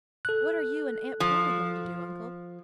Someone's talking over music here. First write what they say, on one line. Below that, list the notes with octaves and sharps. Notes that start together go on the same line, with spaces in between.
"What are you and Aunt Polly going to do, Uncle?"
A4 F#6
F3